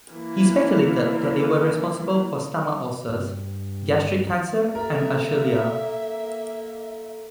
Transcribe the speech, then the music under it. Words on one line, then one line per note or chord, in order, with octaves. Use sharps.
He speculated that they were responsible for stomach ulcers, gastric cancer and achylia.
E3 A#3
G2
A#3 A4 A#4 E5 A#5